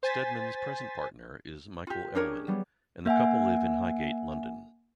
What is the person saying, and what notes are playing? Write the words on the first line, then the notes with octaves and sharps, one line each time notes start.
Steadman's present partner is Michael Elwyn and the couple live in Highgate, London.
C5 G#5 A6 B6
F4 G4
C#4 D4 G4 G#4 A#4 C#5
F#3 G3 B3
A#3 E5 F#5 G#5